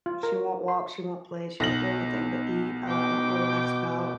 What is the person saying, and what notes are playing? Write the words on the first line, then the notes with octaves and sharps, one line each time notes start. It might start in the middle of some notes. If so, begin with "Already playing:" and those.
she won’t walk, she won’t play, she won’t do anything but eat, uh, I don’t know what that’s about,
F4
A#4
C6
B1 B3 A#6 F#7
B2 G5 D6